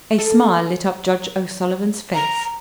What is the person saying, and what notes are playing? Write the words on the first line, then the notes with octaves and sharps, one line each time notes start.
A smile lit up Judge O'Sullivan's face.
A4
A#5